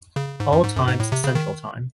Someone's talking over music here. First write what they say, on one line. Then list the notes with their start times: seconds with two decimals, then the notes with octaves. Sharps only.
All times Central time.
0.16 C#3
0.40 G#2
0.52 F#2
0.64 G#2
0.76 F#2
0.87 G#2
1.00 A2
1.12 C3
1.24 C#3
1.35 D#3